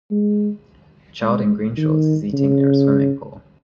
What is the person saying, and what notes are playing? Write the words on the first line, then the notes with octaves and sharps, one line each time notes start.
A child in green shorts is eating near a swimming pool.
G#3
G#3
D#3
C#3